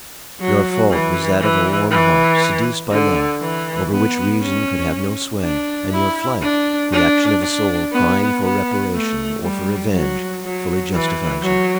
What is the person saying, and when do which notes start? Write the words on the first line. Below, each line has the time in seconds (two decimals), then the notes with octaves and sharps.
Your fault was that of a warm heart seduced by love, over which reason could have no sway, and your flight-- the action of a soul crying for reparation or for revenge-fully justifies you.
0.41 F#3
0.91 E3
1.40 E3
1.91 E3
2.91 D3
3.41 E3
3.91 B3
4.41 C#4
5.41 D4
5.91 E4
6.42 D4
6.92 D4
7.42 D4
7.92 B3
8.42 B3
8.92 A3
9.42 G3
9.93 F#3
10.43 F#3
10.93 E3
11.43 F#3